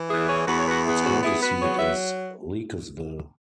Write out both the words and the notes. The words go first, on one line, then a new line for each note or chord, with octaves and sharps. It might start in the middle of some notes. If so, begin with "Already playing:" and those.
Its county seat is Leakesville.
Already playing: E3
E2 E4 G#4
G#4 C#5
E2 F#4 B4
C#5
F#4 B4
B3 E4 G#4
C#4 F#4
B3 E4 G#4
F#4 B4
F#3 G#4 C#5
B4 E5